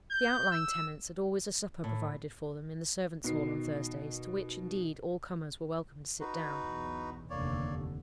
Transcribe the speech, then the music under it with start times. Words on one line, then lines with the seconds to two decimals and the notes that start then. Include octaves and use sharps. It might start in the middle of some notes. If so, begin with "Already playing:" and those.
The out- lying tenants had always a supper provided for them in the servants'-hall on Thursdays, to which, indeed all comers were welcome to sit down.
0.11 G6
0.52 E6
1.84 A2
3.24 B2 D#3 C7
6.20 D#4 F#4 B4
6.62 B1 E2
7.30 F1 D#2 D3 A#3 C#5 D5